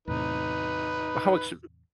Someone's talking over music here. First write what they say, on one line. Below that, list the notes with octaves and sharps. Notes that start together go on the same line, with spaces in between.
How ex
E2 A2 C3 D#4 B4